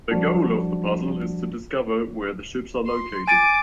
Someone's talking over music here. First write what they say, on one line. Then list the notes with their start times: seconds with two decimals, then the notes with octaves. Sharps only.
The goal of the puzzle is to discover where the ships are located.
0.10 F3 G3 D4 F#4
2.86 C6
3.28 G#5 D6 A6 D7